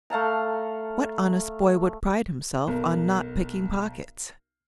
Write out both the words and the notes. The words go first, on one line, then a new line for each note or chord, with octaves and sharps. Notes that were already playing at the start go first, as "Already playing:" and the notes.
What honest boy would pride himself on not picking pockets?
A3 F5 A5 A#5
B1 A#4